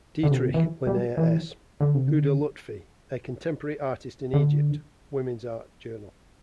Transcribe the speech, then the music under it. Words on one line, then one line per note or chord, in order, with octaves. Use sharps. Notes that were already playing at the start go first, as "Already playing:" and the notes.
Dietrich, Linnea S. "Huda Lutfi: A Contemporary Artist in Egypt" Women's Art Journal.
D3
C3
B2
C3
E3
G3
E3
D3
C3
D3
D3